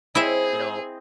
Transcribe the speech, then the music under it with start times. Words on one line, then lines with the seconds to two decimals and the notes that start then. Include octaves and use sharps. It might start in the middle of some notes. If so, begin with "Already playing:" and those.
you know
0.15 C4 E4 G#4 D#5 E5